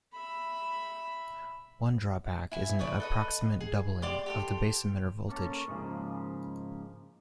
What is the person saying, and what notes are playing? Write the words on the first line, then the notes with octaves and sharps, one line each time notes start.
One drawback is an approximate doubling of the base-emitter voltage.
E5 B5
E4 G#5
B4 D5 C#6 D#6
A4 B4 D#5
G#4
G4 D5 C6 D6
G4 A4 C6
A#3 C#4 A4
G#2 C#3 F3 A#3